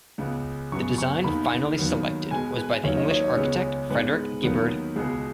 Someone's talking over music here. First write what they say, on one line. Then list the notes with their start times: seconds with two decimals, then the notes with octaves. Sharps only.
The design finally selected was by the English architect Frederick Gibberd.
0.18 C#2 C#3 B3
0.72 F#2 C#3 B3 C#6
0.98 C#6
1.24 D#2 D#3 B3 B5
1.78 D#2 D#3 F#3 B3
2.31 B2 G#3 B3 G#5
2.57 B4
2.84 D#2 D#3 F#3 C#5
2.97 D#5
3.11 C#5
3.37 C#2 C#3 G#3 B3
3.90 G#2 G#3 B3 B4
4.43 D#2 D#3 F#3 B3
4.96 C#2 B2 G#3 B3 G#4